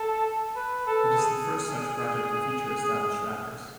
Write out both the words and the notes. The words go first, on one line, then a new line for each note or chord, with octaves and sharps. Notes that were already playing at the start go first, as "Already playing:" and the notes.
It is the first such project to feature established rappers.
Already playing: A4
B4
A4
G#4